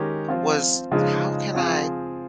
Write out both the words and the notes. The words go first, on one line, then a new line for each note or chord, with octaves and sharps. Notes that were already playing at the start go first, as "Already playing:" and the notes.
was, "How can I
Already playing: D#3 G#3 C#4 G4 A#4
F3 C4 F4
C#3 F3 G#3 D#4
F3 C4 F4 G#4